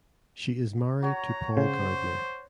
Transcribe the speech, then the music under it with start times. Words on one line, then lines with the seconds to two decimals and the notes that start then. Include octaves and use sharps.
She is married to Paul Gardner.
1.03 F#4 C#5 A#5
1.57 C#3 C5